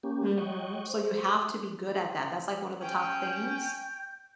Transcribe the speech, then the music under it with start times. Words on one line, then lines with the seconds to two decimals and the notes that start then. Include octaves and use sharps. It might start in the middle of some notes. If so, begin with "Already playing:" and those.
Mhm. So, you have to be good at that, that's like one of the top things.
0.03 A#3 C#4 G4
0.38 C#5 D#5 F#5 G5 C#6
0.89 C5
2.81 C#4 G5 G6